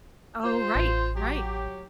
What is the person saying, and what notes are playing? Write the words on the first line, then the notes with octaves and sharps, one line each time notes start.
Oh, right. Right.
F4 C5
A1
F#3 G4